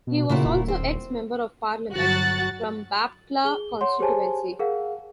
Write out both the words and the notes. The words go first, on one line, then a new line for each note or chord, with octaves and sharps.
He was also Ex-Member of Parliament from Bapatla constituency.
B2
A#2 C#3 E4 F#4
D#1
C4
G1 F#3 F#4 F#6 A6
G#4 G7
C#5 F#5 C6
G4 G#4 C5 C#5 G#5 A5
G#4 A#4 F5 F#5